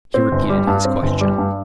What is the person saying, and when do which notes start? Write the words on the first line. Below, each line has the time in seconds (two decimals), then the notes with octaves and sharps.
He repeated his question.
0.14 C4
0.32 G1
0.49 G3
0.67 G2
0.85 C4
1.02 G1
1.21 G3
1.38 G2